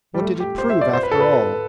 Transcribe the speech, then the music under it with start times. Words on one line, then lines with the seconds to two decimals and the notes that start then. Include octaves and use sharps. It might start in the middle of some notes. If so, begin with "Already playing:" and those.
What did it prove after all?
0.14 G3
0.22 A3
0.40 G4
0.58 C5
0.70 E5
0.81 D5
0.93 C5
1.03 B4
1.11 A4
1.20 B4